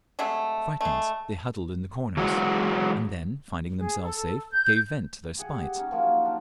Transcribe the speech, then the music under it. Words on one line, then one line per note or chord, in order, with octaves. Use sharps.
Frightened, they huddled in the corners, and then, finding themselves safe, gave vent to their spite.
C3 F#3 G#3 A3
G#3 A3
E3 F#3 G#3 F#4
G#4
A4
G6
G4 G#4 F#5
F#5
G3 C#4 D#4
F3 F#3 A#3 F4
D4